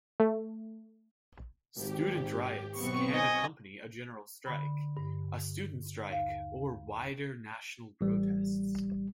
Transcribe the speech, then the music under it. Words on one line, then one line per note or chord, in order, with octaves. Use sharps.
Student riots can accompany a general strike, a student strike, or wider national protests.
A3
G#1 G4
B1 B3 C4 C#6
D#5 G#5
D3 B5
G2
D#2 F5
A1 G3